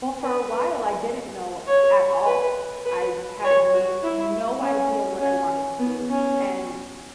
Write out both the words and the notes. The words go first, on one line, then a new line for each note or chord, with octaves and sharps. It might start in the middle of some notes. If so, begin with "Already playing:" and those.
Well, for a while I didn't know at all. I n had n no idea what I wanted to do, and
B4
C#5
B4
B4
C#5
F#4
E4
C#4
C#4
B3
C#4